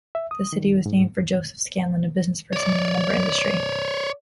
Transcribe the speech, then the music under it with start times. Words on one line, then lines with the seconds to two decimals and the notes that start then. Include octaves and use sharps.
The city was named for Joseph Scanlon, a businessperson in the lumber industry.
0.15 E5
0.31 D#6
0.53 D#3
0.86 G#2
2.53 C#5 D5